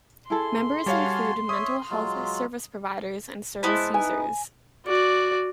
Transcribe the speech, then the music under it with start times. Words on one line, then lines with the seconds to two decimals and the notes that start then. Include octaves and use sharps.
Members include mental health service providers and service users.
0.30 E4 G#4 A4 C6
0.86 G3 F#4 C#5 F5 G#5 A5
1.49 C#5 E5 D#6
1.91 F#3 G#3 F4
3.63 G#3 B3 E4 C5 A5
3.94 D#4 B4 G#5
4.86 F#4 D5